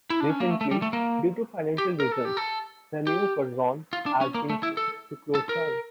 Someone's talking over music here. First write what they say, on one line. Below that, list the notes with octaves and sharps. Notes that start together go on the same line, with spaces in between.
Recently, due to financial reasons, the New Curzon has been forced to close down.
E4
D4
C#4
A#3
A3
A3
G3
A3
A#3
G4
A#4
A4
G4
A4
G4
F4
D4
C#4
A#3
A3
E4
A4
A4
A#4